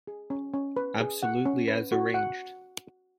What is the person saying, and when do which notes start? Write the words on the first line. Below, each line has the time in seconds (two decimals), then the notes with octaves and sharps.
Absolutely as arranged.
0.07 G#4
0.30 C#4
0.53 C#4
0.77 B4
1.00 G#4
1.23 F#5
1.45 C#4
1.68 B4
1.92 F#4
2.14 F#5